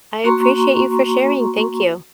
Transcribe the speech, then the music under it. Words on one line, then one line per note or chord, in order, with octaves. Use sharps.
I appreciate you for sharing, thank you.
A#3 F#4 A#5 C6 C#6